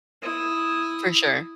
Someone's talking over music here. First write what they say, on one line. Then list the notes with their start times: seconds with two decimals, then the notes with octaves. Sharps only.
For sure.
0.22 E4 D#6